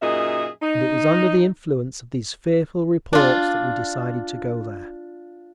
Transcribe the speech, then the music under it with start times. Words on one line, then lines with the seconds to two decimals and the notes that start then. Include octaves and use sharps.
And it was under the influence of these fearful reports that we decided to go there.
0.02 F#2 A#2 D#4 G#4 D#5 E5
0.62 D#4
3.13 D4 F4